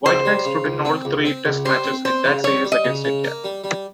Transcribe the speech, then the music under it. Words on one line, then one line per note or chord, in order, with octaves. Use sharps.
Whitehead stood in all three Test matches in that series against India.
C#2 C5
G3
C#3
C#2
C4
C#2
C4
C#2
G3 C5
C4
C4 C5
C#3
C4 C#5
G3
D#5
C#3
C#3
A#3
G3
G3